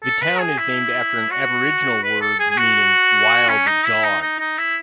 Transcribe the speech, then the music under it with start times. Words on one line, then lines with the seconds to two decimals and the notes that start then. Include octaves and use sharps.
The town is named after an Aboriginal word meaning "wild dog".
0.03 A4
0.21 B4
0.40 G#4
0.58 E4
1.31 F#4
2.03 B4
2.21 A4
2.39 G#4
2.50 G#4
2.58 F#4
3.49 C#4
3.67 D#4
3.85 E4
4.03 D#4
4.22 D#4
4.39 D#4
4.58 E4